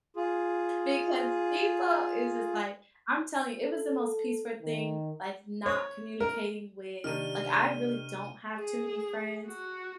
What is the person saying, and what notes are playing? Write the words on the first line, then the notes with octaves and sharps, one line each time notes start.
Because people is just like I'm telling you, it was the most peaceful thing, like, not communicating with Like, I really don't have too many friends,
F4 G#4
A4
D#3
C#5
A#4
C3 D#3 A#3 D4 G4 D5 F6 D#7
G#4
F#4